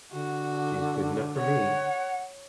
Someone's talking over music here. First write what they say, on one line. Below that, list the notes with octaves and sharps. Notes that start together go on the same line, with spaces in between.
She's good enough for me!
D3 F#4
C#5 F#5